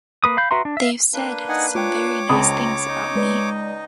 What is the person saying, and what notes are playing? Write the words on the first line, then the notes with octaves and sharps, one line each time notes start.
They've said some very nice things about me.
A#3 B4 D#6
F5 B5 G6
F#4 B4 E5 A#5 C6
D4
E5 F5
A#3 D4 B4
D#4 F#5 G#5
F4 C#5 G5 D6
C#2 C4 D#5 A#5 B5 D#6
D#4 D#5
G#3 B4 D5